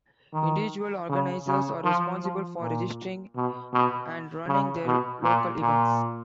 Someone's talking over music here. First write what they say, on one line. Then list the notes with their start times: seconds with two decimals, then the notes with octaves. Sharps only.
Individual organizers are responsible for registering and running their local events.
0.33 D#3
1.09 C#3
1.47 C#3
1.84 F3
2.22 F3
2.60 A#2
3.35 B2
3.73 B2
4.48 C#3
4.86 B2
5.23 A#2
5.61 A#2